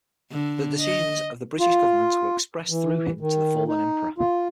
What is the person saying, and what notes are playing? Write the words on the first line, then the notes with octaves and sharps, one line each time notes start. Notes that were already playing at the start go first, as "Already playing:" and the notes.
The decisions of the British government were expressed through him to the fallen Emperor.
D3
D#5
F4
E3
D#3
D#4
F4